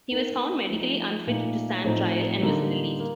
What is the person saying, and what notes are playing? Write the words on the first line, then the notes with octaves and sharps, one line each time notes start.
He was found medically unfit to stand trial and was released.
A#3 D#4 A#4
F3 A3 D#4
A#2 A3 D#4
A2 F3 C4 D#4
D3 G3 A#3 D#4
A#3